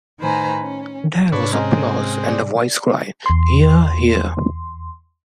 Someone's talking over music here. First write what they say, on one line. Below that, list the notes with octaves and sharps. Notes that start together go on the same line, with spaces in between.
There was applause, and a voice cried: "Hear, hear!"
A2 D#3 B4 C5 G#5 A#5
C#4
G#2 C3 D4 B4 C#5
G#3 C4 C#4 D#5 A#5
G#4 D5
E2 C6